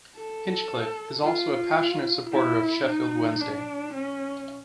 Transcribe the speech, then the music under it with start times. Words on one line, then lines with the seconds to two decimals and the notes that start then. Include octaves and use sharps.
Hinchcliffe is also a passionate supporter of Sheffield Wednesday.
0.16 A4
1.24 F4
2.32 E4
2.85 D#4
3.40 D4
3.93 C#4